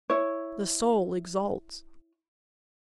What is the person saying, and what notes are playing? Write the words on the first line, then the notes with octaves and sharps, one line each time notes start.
The soul exults.
E4 C#5